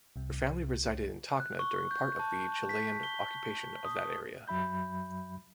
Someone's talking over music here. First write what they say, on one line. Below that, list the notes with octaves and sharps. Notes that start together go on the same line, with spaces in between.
Her family resided in Tacna during part of the Chilean occupation of that area.
C2 C3
F#6
C#6
G6
A5
B6
G7
D#6
F#2 F#3 E5 B5 G6